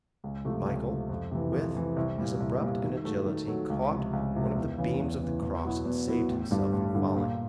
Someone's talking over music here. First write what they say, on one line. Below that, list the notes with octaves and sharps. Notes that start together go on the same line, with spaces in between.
Michael, with as abrupt an agility, caught one of the beams of the cross and saved himself from falling.
C#2
C3 F3 A3
C#2
C3 F3 A3
F2
C3 E3
F2
C3 E3
C2
A#2 G3
C2
A#2 G3
D#3
F#3 A3
D#3
F#3 A3
C#2
C3 F3
C#2
C3 F3
E2
C#3 E3
E2
C#3 E3
E2
B2 F#3 B3 E4
E2
B2 F#3 B3 E4
A1
G2 D3 G3
A1
G2 D3 G3
A#2